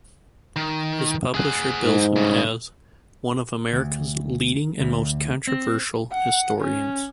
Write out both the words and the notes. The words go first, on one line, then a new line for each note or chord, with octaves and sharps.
His publisher bills him as "one of America's leading and most controversial historians".
D#3
G#4 F#5
G#2
G2 C#3
D2
D2
C4
F#5
C#4